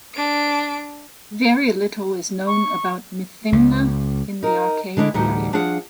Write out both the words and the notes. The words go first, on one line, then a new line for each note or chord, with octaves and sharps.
Very little is known about Methymna in the Archaic period.
D4 D7
C#6
C#2 C#3
D#4 A#4
D3 G#3 D4 E4
D2 A2 E3 G3 D#4 F#5
F3 D4 G#4 F5 F#5